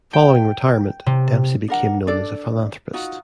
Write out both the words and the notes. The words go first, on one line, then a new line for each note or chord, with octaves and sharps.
Following retirement, Dempsey became known as a philanthropist.
G5
C3
D4 A#4 F#5
D4 A4 D5
D#4 F4 F#4